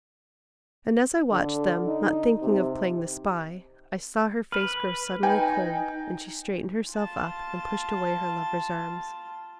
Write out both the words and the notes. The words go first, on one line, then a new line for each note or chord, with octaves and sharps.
And as I watched them--not thinking of playing the spy--I saw her face grow suddenly cold, and she straightened herself up and pushed away her lover's arms.
D3
D#4
C3
B4 F6
D#4 B4 G5 G#5
F4 A5